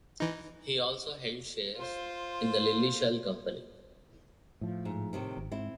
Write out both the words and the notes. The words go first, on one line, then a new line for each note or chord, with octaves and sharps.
He also held shares in the Lilleshall Company.
E3 D#4
F4 C5
A2 F3
G#2
A2 C3 D#3
G#1
G#2 C4 E4